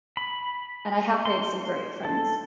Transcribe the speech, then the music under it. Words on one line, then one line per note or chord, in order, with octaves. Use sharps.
And I have made some great friends.
B5
C6
A4